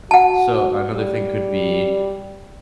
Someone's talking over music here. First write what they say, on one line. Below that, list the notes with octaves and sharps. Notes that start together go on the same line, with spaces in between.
Uh, so another thing could be,
F#4 F#5 A5
G3